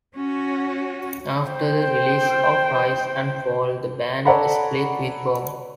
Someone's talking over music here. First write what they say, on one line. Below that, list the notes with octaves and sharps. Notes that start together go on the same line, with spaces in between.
After the release of "Rise and Fall" the band split with Bomp!
C#4 F#4
C5 G5
A4 C#5 D5 F#5 A#5 B5